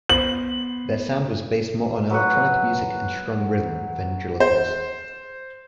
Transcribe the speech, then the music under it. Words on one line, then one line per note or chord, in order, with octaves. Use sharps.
Their sound was based more on electronic music and strong rhythm than Juluka's.
B3 C5 F#7
F#3 B4 F#5
C5